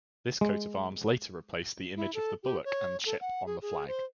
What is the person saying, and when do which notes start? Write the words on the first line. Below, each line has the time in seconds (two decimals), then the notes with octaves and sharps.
This coat-of-arms later replaced the image of the bullock and ship on the flag.
0.41 G#3
1.96 E4
2.14 A4
2.43 G4
2.65 C#5
3.06 A4
3.20 F#5
3.46 G#4
3.62 G#4
3.87 C5